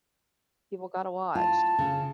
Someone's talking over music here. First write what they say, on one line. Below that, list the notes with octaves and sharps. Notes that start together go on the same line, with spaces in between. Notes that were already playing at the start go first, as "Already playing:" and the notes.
People gotta watch.
F4 A5
C#3